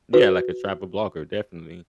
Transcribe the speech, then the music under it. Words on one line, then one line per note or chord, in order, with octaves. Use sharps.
Yeah, like a travel blogger, definitely,
F#4 B4